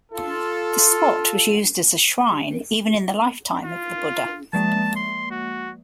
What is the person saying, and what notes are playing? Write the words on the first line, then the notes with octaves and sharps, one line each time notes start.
The spot was used as a shrine even in the lifetime of the Buddha.
F4 A4
F4
F3 G#3 A#3 A5
C6
F#4